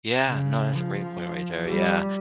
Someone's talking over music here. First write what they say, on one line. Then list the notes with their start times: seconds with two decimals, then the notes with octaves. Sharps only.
Yeah. No, that's a great point right there, yeah.
0.28 C#3
0.75 F3
1.67 G3